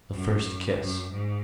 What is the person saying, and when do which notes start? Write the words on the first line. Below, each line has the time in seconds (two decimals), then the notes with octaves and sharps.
The First Kiss.
0.13 F#2
0.79 F#2
1.12 G#2